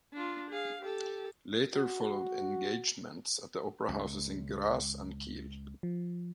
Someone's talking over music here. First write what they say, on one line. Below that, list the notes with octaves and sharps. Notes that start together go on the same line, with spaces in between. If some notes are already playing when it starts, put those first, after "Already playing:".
Later followed engagements at the opera houses in Graz and Kiel.
D4 F4
G#4 F5
G4 A4
F#4
C#2
F3